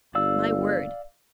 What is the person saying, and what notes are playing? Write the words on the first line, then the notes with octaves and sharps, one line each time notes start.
My word!
G1 D5 F5 E6